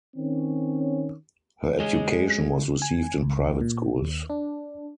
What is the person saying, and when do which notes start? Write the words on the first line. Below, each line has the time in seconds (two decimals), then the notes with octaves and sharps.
Her education was received in private schools.
0.17 D#3 C4 C#4
1.80 G#3 G#4 C#5 D#5 G#5
2.82 G#5
3.22 C#2
3.61 A#2
4.02 D#2
4.30 D4